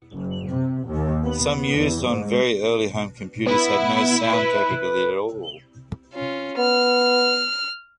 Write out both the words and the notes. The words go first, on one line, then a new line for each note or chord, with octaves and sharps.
Some used on very early home computers had no sound capability at all.
F#1
C3
D#2
B3
E2
G#2
B3 E4
B4
C#4 F4
B3 F6